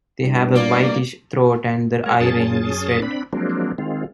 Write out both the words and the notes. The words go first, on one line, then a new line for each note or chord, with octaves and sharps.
They have a whitish throat and the eye-ring is red.
E2 G2
A#3 D5
G#3 A#4 C#5
F#2 C#4 G#4 A5 D#6 A6
C4 D4 B5
F3 F#3 G#3 A#3 C4 D4
D#3 G#3 C4 F4